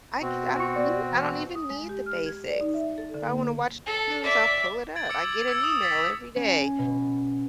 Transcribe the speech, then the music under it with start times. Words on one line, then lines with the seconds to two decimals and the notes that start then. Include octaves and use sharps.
I c I don't need I don't even need the basics. If I wanna watch the news, I'll pull it up. I get an email every day
0.21 B2 C4 F#4
0.60 C#6
0.76 D5
1.11 E3
1.55 D#6
1.70 G#3
1.89 G4
2.06 F6
2.26 G#6
2.46 D5
2.61 D#4
2.74 E5
2.98 A4
3.14 D3
3.28 A#3
3.87 A4
4.24 D5 E5
4.95 G#6 A6 D7 F#7
5.09 D6 E6 C#7 D7
5.25 F#7
5.48 E6 G#6 C#7
5.62 D6 D#6 E7
5.83 A6 B6 C#7
6.36 C#4
6.79 B2